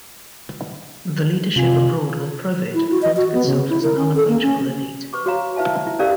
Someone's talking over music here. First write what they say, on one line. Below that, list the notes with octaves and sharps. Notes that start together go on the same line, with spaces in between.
The leadership abroad, or "Provid", thought of itself as an unapproachable elite.
C3 F4 G#5
E4
F#4
D#5
F#4
B3
C#3
E4
A#4
C#4
A4
A#3
C#4
B4 C#6 D6
F#4 C#5 F5 A#5
E4 B4 E5 F5 A5
E4
C#4 G4 A4 A#4 D5 F5